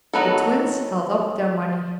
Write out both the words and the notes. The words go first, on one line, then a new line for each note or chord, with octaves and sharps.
The Twins held up their money.
D#3 F#3 B3 F#4 A4